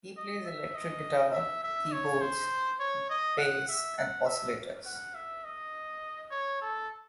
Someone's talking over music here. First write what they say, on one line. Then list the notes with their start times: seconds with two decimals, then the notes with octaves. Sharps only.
He plays electric guitar, keyboards, bass and oscillators.
0.17 D#5
0.46 E5
0.75 D#5
1.33 E5
1.64 E5
1.92 C#5
2.21 C5
2.80 C#5
3.10 D#5
3.38 F#5
3.69 E5
3.98 F#5
4.26 E5
4.85 F#5
5.15 E5
5.44 D#5
6.31 C#5
6.61 A4